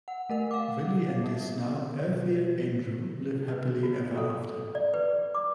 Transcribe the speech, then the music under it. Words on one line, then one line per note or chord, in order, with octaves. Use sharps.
Willie and his now Earthier angel live happily ever after.
F#5
A3 A#4 F#5
F5 D6
A#3
B2
B4
F#4
A4
D5
B4
D6